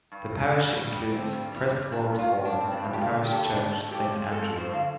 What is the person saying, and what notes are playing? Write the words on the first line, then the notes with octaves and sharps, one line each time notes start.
The parish includes Prestwold Hall and parish church Saint Andrew.
G2
G2
G3
G2
G3
D3 C4
G2
G3
G3
G2 D4
G2
F4
G2
D4
G2
C4
G2 D4
A3 G4
F4
D3
G4
G2 A4
G4
D3 D4
F2
F2 G4
F2
F2 A4
F3
C5
D3 F5